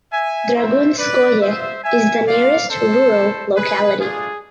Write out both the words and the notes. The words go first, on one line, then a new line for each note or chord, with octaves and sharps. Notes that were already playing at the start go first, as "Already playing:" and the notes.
Dragunskoye is the nearest rural locality.
E5 G#5
A3 C4 E4 C5 E5
B4 D5
B3 F4 C5 E5
E5 G#5
A3 D4 F4 D5 F5
A4 C5
A3 E4
G#4 B4
A3 D4 F4 G#4